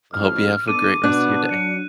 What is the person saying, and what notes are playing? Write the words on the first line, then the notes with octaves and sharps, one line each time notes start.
I hope you have a great rest of your day.
A1 F2 F6
B3 D4 A4 D6 D#7
B2 B3 D4 F#6
F#3 C#7